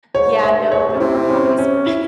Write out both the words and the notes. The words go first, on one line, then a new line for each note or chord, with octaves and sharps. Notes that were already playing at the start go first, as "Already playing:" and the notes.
Yeah, no, no more hobbies for me,
G#2 C#5
E5
G2
G#2 C#5
C3 C5
C#4
C3 E4
E4
C#4
C4
C#4
E4